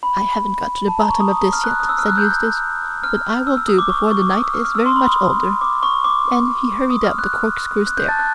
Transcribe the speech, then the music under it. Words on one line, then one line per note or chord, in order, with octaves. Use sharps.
"I haven't got to the bottom of this yet," said Eustace, "but I will do before the night is very much older," and he hurried up the corkscrew stair.
B5
A5
A#5
C#6
D#6
D#6
F6
F#6
D#6
E6
F6
F#6
G6
F6
E6
E6
D#6
D6
C#6
C#6
D6
D#6
E6
F6
F6
E6
C6
B5
D#6
D6
C#6
D6
D#6
F6
F#6
F6
F#6
G6
A5 A6
F#6